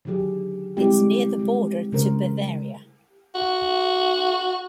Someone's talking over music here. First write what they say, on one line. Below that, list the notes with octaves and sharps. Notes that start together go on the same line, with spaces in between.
It's near the border to Bavaria.
D3 D#3 F#3 G4 G#4
D3 G3 G#3 C4 E4 G4
G3 G#3
C#3 G#3 A#4 C5
F#4